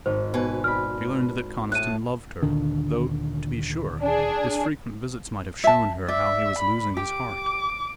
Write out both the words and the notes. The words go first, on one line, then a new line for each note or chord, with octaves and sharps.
She learned that Conniston loved her, though, to be sure, his frequent visits might have shown her how he was losing his heart.
G#1 C5
B2 B4 G#5
C4 D5 B5 F6
A2 A5 F#6 D#7
D2 A#2 D3 D#3 D4
D4 G#4
E5 A5
D5 E5
B5
G4 D6